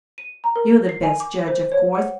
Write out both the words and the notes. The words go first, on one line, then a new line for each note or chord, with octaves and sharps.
You're the best judge of course.
D#7
A#5
A#4
C7
G#5
D6
C5
C#5
F#5